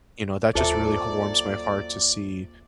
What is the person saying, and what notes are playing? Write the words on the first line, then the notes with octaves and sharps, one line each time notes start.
you know, that just really h warms my heart to see
D#2 F#3 A#3 F4 A4 C5 D5 E5